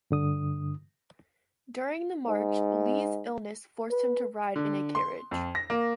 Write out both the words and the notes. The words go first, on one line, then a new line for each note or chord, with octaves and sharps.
During the march, Lee's illness forced him to ride in a carriage.
G2 D3 D#6
G#2
B4
D3
C6
F2
A#6
A#3